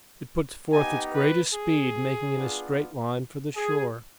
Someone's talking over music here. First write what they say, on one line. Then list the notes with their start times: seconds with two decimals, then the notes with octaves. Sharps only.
It puts forth its greatest speed, making in a straight line for the shore.
0.73 B3 D#4 G4 G#5
1.14 B4
1.54 G#4
2.35 B3 D4 F4
3.56 G#4